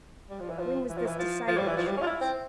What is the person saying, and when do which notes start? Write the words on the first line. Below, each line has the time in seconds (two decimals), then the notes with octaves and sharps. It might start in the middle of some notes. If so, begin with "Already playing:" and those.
"When was this decided?" she asked.
0.30 G3
0.40 F3
0.49 E3
0.59 F3
0.89 E3
0.97 F3
1.06 E3
1.18 F3
1.47 F3
1.57 G3
1.67 E3
1.77 F3
1.87 G3
1.97 C#4
2.02 F4
2.07 E4
2.21 C4